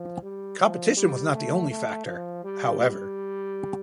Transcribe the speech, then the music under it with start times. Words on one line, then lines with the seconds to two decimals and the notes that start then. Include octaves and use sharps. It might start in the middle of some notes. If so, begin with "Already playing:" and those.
Competition was not the only factor, however.
Already playing: F3
0.23 G3
0.59 F3
0.97 G3
1.34 A3
1.70 A3
2.06 F3
2.44 G3
2.80 G3